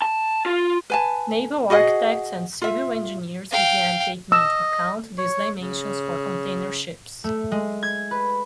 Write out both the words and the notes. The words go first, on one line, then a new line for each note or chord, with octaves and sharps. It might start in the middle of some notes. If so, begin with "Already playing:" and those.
Naval architects and civil engineers began taking into account these dimensions for container ships.
A5
F4
B4 G#5 A5
F#4 G#4 D#5 F#5
F4 E5
F5 G5
D#5 E6
C#5
C#3
A3
G#3
G#6
B4